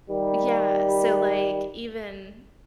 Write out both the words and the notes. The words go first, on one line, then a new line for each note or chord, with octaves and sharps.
Yeah, so, like, even
D#3 G3